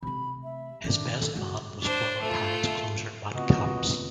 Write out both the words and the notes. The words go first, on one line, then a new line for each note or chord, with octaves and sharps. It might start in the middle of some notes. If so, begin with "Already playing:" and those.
His best man was former Pirates closer Matt Capps.
C3 A3 B5
E5
D3 D#3 D4
A4
D2 C#3 F#4
D4 C5
A3 F4
C#3 A3 B3 C4 F4 F#4 B4 D#5